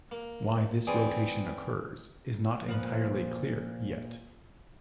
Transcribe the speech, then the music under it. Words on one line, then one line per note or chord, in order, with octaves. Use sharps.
Why this rotation occurs is not entirely clear yet.
A#3
E3 C4 G#4 D5 G#5 D#6
A#2 F3 B4